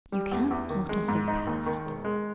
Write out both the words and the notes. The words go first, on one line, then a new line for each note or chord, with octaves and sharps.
You can't alter the past.
G3
E2
E2
D#3
G#3
G#2
D#4
D#2
D#3
E1
G#3